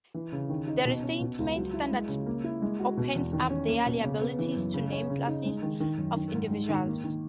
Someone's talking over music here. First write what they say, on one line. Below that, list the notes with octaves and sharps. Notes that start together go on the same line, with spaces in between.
The Restatement Standard opens up their liability to named "classes" of individuals.
E3
C#3
D#3
D#4
B2
C#4
B2
C#2
F#3
E4
G#3
C#3
A#3
E4
G#3
F#4
B2
E2
D#3
C#4
A#3
B2
C#3
B3
E3
F#2
C#3
C#4
C#3
D#4
G#3
D#3
D#3
F#2
D#3
G#2
G#3
D#3
A#3
D#3